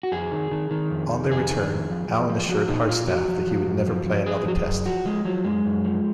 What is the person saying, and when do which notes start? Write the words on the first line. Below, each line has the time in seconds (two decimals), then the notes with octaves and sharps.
On their return, Allen assured Hardstaff that he would never play another Test.
0.03 F#4
0.12 F2 G#4
0.32 D#3
0.51 D#3
0.71 D#3
0.91 F2
1.11 D#3
1.31 F2 G#4
1.50 D#3
1.70 F2
1.90 F3
2.09 F3
2.29 F3
2.49 F3 F#4
2.69 A#2 D#4
2.89 A#2 F4
3.07 F3 F#4
3.28 F3
3.47 F3
3.67 F#2
3.87 F3
4.06 F3
4.26 F3 G#4
4.46 F3 F#4
4.56 G#4
4.66 F#2
4.86 F3 F#4
5.05 F3 G#3
5.25 F3 F#3
5.44 F#2 G#3
5.65 F#2
5.84 F3